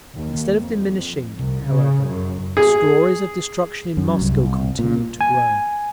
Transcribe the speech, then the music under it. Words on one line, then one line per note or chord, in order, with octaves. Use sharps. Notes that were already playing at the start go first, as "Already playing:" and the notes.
Instead of diminishing, however, the stories of destruction in Moscow continued to grow....
D#2
F2
C2
C#3
F#2
G#4
F#2
C2
A#2
G#5